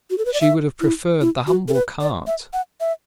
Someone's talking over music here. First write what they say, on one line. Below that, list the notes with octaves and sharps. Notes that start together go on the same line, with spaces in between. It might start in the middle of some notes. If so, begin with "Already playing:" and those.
She would have preferred the humble cart.
F#4
A4
B4
D5
E5
E4
E4
F#4
A4
B4
D5
E5
F#5
E5